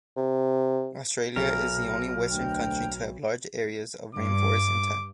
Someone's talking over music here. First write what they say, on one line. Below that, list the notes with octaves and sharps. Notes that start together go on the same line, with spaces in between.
Australia is the only western country to have large areas of rainforest intact.
C3
B1 A#4 D7
D2 G5
G2 D6